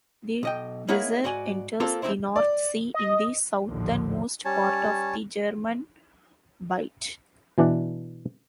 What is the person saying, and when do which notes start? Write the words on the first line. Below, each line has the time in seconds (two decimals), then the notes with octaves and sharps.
The Weser enters the North Sea in the southernmost part of the German Bight.
0.43 B1 D#5 G5
0.88 A#3 D#4 E4 G#4 C#5 F#5
1.24 G#2 F#4 D5 G#5
1.80 A#3 C4 F4 A4
2.02 E2 C4 D#4 E4 C5
2.36 D5
2.94 D#5
3.66 A#1 D#2 A2 D3 F3
4.45 G3 C#4 C#5 A5
7.58 B2 E3 D4 D5 F#5